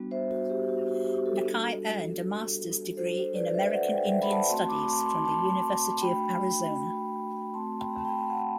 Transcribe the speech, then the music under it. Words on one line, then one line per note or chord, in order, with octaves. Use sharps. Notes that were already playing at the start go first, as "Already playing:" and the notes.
Nakai earned a master's degree in American Indian studies from the University of Arizona.
Already playing: G3 B3 D4 F#4
C5 E5
F#4
G4
F#4
F#4
G4
F#4 A4
G3 D4 F#4
G3 D4 F#4 A4 C5
B4 D5
C5 E5
D5 F#5
E5 G5
E5 G5
B5
F#5 A5
A3 C4 F#4 A5 C6
B5 D6
A5 C6
A5 C6
A5 C6
A3 D4 F#4 G5 B5
A3 C4 F#4 A5 C6
G5 B5
A5
G5 B5
F#5 A5